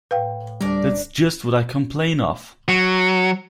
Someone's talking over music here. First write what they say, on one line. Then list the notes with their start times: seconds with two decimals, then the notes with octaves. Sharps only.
That’s just what I complain of!
0.11 A2 B4 F5 G5
0.61 D2 G3 D4 A#4 D5
2.68 F#3